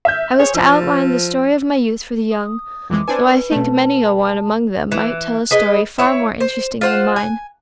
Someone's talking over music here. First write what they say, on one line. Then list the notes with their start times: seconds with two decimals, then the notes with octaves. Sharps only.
I was to outline the story of my youth for the young, though I think many a one among them might tell a story far more interesting than mine.
0.05 E5 F6 G6
0.39 G#4 C5 C#5
0.55 F3 E6 A6
2.31 D#6
2.90 F2 E3 G#3 D6
3.08 C4 D4 B4 G#5
3.51 B2 A3 A5
4.92 E3
5.51 G#4 B4 D#5
5.98 E4 C#5
6.40 C5
6.81 F4 C5 F#5
7.16 G#5